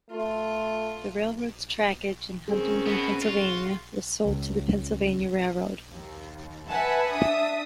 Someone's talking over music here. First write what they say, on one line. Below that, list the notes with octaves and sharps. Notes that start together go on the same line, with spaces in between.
The railroad's trackage in Huntingdon, Pennsylvania was sold to the Pennsylvania Railroad.
A3 F4
D#3 C4 C#4 G#4
B2 B3
F4 F#4
C#2
D#2
B4 E5 F#5 G#5 A5
D4 E5 D#6